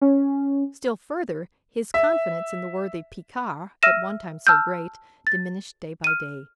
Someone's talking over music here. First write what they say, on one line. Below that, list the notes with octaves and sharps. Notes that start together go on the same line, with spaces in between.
Still further, his confidence in the worthy Picard, at one time so great, diminished day by day.
C#4
E5
E5 E6 F6 A#6 D#7 E7
A5 E6 F6 G6
A6
F6 D#7